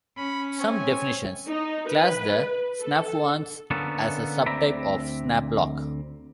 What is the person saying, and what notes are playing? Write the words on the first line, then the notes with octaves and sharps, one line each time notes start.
Some definitions class the snaphaunce as a sub-type of snaplock.
C#4 B5
C4 C#5 G#5
D#4
B4
A4
D3 A#3 B3 C#4 A4
D2 C4 D5 E5 A#5 B5